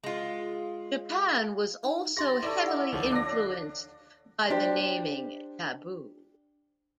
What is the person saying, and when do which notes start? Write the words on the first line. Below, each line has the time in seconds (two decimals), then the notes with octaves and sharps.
Japan was also heavily influenced by the naming taboo.
0.04 G#3 F4
1.83 D#4
2.17 G4 G#4 E5 C6 A6 A#6
2.43 E4 A4 C#5 D5
2.67 E5 F#5
2.92 D2 D#3 F3 C#5
3.11 D4 F5 A#6
4.50 D4 G4 C5